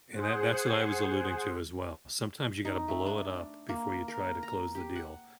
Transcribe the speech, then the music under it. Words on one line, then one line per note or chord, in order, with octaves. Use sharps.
And that that's what I was alluding to as well. Sometimes you gotta blow it up before you try to close the deal
G#4 C5 F#5
D#4
A3
D4
A#3
A#4
A#5
G4
F#5